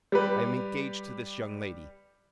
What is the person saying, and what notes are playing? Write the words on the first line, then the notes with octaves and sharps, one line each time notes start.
I am engaged to this young lady.
G3 G4 B4